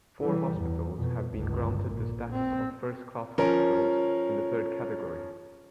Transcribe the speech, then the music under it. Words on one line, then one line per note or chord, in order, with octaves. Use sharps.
Four hospitals have been granted the status of "first-class hospitals in the third category".
E3 G3
E2
F2 B2
G1 C#2
A#1 A#2
C4
F3 C#4 A#4